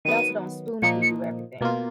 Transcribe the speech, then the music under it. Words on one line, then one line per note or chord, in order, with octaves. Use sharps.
they also don't spoon feed you everything.
D#3 F#3 B3 D#7
A#2 F3 A#3 D#4 C#7
C#7
B2 A#3 F4